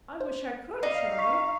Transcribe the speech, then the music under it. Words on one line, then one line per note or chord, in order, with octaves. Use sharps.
'I wish I could, Charley!
C5
D#4 D5 F5
C#6 B6